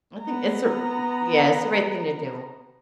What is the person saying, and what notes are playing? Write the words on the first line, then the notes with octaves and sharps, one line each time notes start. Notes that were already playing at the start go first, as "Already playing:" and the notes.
I think it's a r m Yeah, it's the right thing to do.
B3 A#5